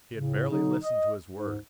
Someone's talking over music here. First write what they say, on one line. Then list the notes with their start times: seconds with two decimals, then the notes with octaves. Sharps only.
She had barely listened to his words.
0.14 A2 C#3
0.50 D3 F#3 D#4
0.83 D#5
1.30 G#2